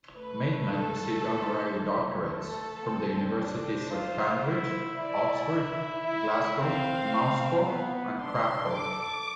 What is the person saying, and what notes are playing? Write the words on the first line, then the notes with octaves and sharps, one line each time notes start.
Maitland received honorary doctorates from the universities of Cambridge, Oxford, Glasgow, Moscow and Cracow.
A3 B4
A4
A3
A4
C4
D4 C5
F4
E4
E4 D5
E5
E4
C4 F5
B3
D4 C6
A4 D6